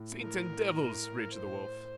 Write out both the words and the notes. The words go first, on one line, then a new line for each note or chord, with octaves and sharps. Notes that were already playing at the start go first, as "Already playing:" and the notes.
"Saints and devils!" raged the Wolf.
Already playing: A2
A2 A#4
A2
A2
C5